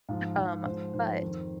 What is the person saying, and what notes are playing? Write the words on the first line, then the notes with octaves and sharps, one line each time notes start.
um, but,
G#2 F3 F5
G#2 F3
G#2 F3 C5
G#2 F3 C5
F2 D#3